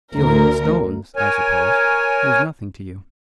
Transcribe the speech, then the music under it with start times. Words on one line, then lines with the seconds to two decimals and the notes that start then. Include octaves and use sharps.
Stealing the stones, I suppose, was nothing to you.
0.15 D2 A#4
1.16 A#4 C#5 G#5